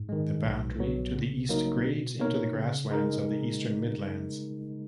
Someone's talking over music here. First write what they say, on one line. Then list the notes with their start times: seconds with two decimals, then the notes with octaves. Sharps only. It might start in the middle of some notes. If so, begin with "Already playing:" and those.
The boundary to the east grades into the grasslands of the Eastern Midlands.
Already playing: G#2
0.09 D#3 G#3
0.44 B1
0.79 B2 F#3 B3
1.14 C#3
1.49 F#3 A#3 D#4 A#4
1.84 B2
2.19 A#3 D#4 A#4 C#5
2.55 C#3
2.90 G#3 D#4 A#4